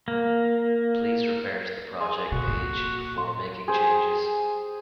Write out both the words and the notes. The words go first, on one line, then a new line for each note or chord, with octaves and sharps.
Please refer to the project page, before making changes.
A#3
G#4 C6
C2 B2 F#4
A#2
C6
G#4 C5